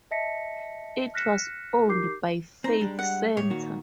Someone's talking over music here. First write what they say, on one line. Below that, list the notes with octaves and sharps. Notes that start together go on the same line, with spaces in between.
It was owned by Faith Center.
D#5 E5 A5 A#6 B6 C#7
F6 F#6 A#6 B6 C#7 E7
D#4 G4 A#4 D6 G6 C7
C4 D#4 A#5
G3 G#3 D4
F#5
A2 C#5
A#2 D#3 F#4